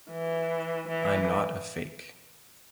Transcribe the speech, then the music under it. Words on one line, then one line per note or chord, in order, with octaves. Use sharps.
I'm not a fake.
E3
E3